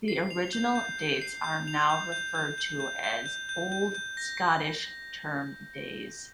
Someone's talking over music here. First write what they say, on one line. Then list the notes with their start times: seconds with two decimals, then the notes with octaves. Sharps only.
The original dates are now referred to as "Old Scottish Term Days".
0.08 C7
0.30 F7
0.53 G6
0.75 G6
0.99 G6
1.22 C7
1.44 G6
1.68 F7
1.90 G6
2.12 G6
2.35 G6
2.58 G6
2.80 G6
3.04 G6
3.26 G6
3.49 G6
3.72 G6
3.95 G6
4.17 A#6